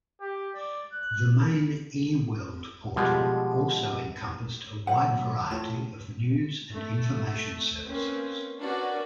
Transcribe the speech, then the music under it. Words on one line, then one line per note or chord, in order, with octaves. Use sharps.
The main eWorld portal also encompassed a wide variety of news and information services.
G4
D5
F#6
B2 F3 G3 G#3
D2 F#3 C5 F#5
A2 F4
A3
A#3 C4 C#4 B4
C#4 D4 F#4 A#4 B4 D5